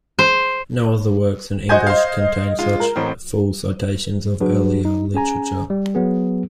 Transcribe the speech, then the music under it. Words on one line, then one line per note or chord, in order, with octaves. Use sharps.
No other works in English contain such full citations of earlier literature.
C5
F#4 C5 D#5 G#5 G6 G#6
C5 F5
G#3 F4
A#4
A1 A2 C4
F#3 D4 F#4 G#4 B4
D#4
C#4 G#4 G#5 A#5
G3
F#3 B3 G#4